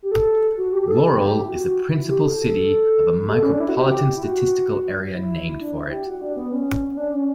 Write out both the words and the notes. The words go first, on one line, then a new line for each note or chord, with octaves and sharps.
Laurel is the principal city of a Micropolitan Statistical Area named for it.
G4
A4
F#4
G4
G4
A4
G4
E4
F#4
E4
G4
A4
A4
G4
A4
C#4
D4
E4
F#4
G4
E4
F#4
E4
D4
E4
G4
F#4
D4
B3
C#4
C#4
D4
C#4